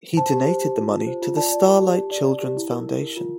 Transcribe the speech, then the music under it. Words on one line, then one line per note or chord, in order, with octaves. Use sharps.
He donated the money to the Starlight Children's Foundation.
C5 A5
G4
C5
G4
F4
F4
C5
F4
D5 A5
D5
A#4
G4
G4
D5
D5
G4
E4
A#4
E4
A#4
F4